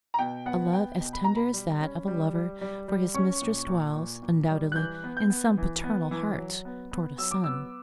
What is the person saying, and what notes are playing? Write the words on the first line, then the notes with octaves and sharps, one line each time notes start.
A love as tender as that of a lover for his mistress dwells, undoubtedly, in some paternal hearts toward a son.
A#5
B2 G5
B3 F#5
B3 G5
B2
B5
B2 A#5
B5
G3
C#4
G3
G3
G3
G3
C#4 C#6
A#2
A#2
A#2
A#2
G3
F#6
E3 G6
B3
G6
B3
E3
B3
E3
F#3
B3
B3
F#3 E6
D6
B3 E6